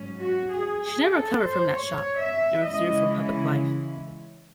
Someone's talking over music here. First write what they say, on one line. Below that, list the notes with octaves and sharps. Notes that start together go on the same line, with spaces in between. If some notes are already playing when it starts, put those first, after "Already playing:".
She never recovered from that shock, and withdrew from public life.
Already playing: G#2 F#3 C#4
F#4
G#4
G#4
A4
C5
C#5
E5
C#3 E3 G#3 C#4 E4 D#5